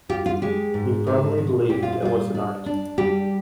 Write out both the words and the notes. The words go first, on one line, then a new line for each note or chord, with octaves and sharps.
He firmly believed it was an art.
F4 G4
F4
G#3 G4
G#2
D#3
G#3
A#2 G4
F4
G3 F4
D4
D4
G3 G4